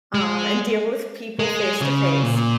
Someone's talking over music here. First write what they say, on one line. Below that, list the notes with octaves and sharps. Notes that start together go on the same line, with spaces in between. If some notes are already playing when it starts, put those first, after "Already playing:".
um, and deal with people face to face.
G#3
G#3
C#3
A#2